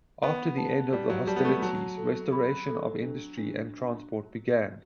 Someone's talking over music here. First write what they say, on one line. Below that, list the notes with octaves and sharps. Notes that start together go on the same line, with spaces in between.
After the end of the hostilities, restoration of industry and transport began.
B3 B4
A5
G3 D5
F#3
G3 A5
B3
A3
F#3 A5
A4
B5
A4
D4
D4